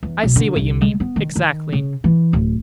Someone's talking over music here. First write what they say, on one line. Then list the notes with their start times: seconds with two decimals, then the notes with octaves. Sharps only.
I see what you mean, exactly.
0.03 E2
0.23 B1
0.36 D3
0.56 C2
0.81 G#3
1.00 B3
1.16 D#3
1.36 D#3
1.73 C#3
2.04 E3
2.33 D1